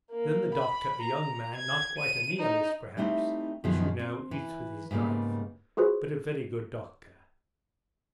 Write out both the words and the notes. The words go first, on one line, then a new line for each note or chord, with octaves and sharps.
Then the doctor, a young man, not quite a Nihilist perhaps, but you know, eats with his knife ... but a very good doctor.
A#3
B5
A#5
G#6
D#7
D#4
G3 A3 C4 D#4 E4
F#2 B2 D#3 F3 F#3 B3
C4
E3
G#2 C#3 G3 A#3 B3
F4 F#4 G#4 B4 C5